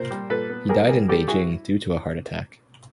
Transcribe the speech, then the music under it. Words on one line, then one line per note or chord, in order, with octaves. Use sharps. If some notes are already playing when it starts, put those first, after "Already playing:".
He died in Beijing due to a heart attack.
Already playing: A#2 A#4 C5
G3
A#2 A4 B4
B3
G3 G#4 A#4
G3 G#4 A#4
G3 G4 A4
E4 F#4 G#4